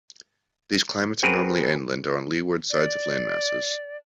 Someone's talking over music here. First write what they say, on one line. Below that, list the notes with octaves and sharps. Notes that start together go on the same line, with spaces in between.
These climates are normally inland or on leeward sides of landmasses.
C4 F#4 G#4 A#4 B4
D5